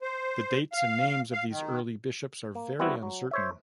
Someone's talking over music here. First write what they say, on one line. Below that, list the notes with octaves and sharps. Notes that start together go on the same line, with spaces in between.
The dates and names of these early bishops are very uncertain.
C5
F5
F5
D#3
A#3
G3 B3 C4 E4 F#4
F#3
C5 C#5 E5